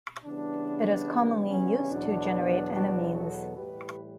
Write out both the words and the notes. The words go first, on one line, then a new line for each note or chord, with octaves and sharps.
It is commonly used to generate enamines.
C#3 E3 G3 B3 D4
C#4
E2 B2 F#3 B3 D4
D4 F#4
F#4 A4
A2 E3 G3 G4 B4